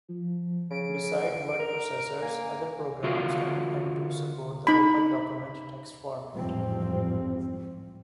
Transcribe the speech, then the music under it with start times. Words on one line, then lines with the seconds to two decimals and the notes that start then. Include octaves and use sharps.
Besides word processors, other programs can and do support the OpenDocument text format.
0.09 F3
0.71 C#3 D7
1.59 A#4
2.22 A#3 G#5
3.03 D3 F4 F#4 A#4 F5
4.67 D#4 B5
6.34 A1 F2 G#2 F3 G3 C4